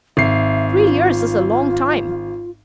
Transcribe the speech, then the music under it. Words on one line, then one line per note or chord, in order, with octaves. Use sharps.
Three years is a long time.
G#1 E5 C7
F4